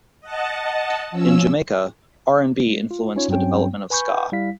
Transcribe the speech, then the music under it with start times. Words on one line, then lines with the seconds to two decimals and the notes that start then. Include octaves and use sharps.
In Jamaica, R and B influenced the development of ska.
0.21 D#5 F#5 A5
1.11 F3 C#4 E6
2.67 G#3
2.91 F4
3.16 C#4 D#4 F4 C#5
3.28 G2 F#3 C4 C#4 G5
3.90 B4 G#5 B5 C#6 G6
4.32 G3 E4 F5 B6